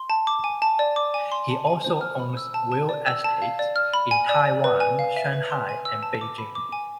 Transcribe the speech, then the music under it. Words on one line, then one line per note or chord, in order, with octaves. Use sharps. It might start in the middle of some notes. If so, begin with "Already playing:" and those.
He also owns real estates in Taiwan, Shanghai, and Beijing.
Already playing: C6
A5
D6
G#5
A5
D5
D6
G#5
C6
A5
G#5
C5
F6
B5
E6
A5
A5
D5
E6
A5
F5
D5
F6
B5
G#5
D5
D5
B4
G#5
F5
E5
B4
C6
G#5
E6
A5
D6
B5
D6
G#5